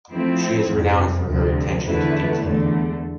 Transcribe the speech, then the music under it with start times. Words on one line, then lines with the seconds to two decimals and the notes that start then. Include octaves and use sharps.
She is renowned for her attention to detail.
0.12 F3 A3 C4 E4
0.69 F2 C3 G3
1.27 D2 C3 F3
1.84 E2 D3 A3 E4 B4
2.42 E2 D3 A3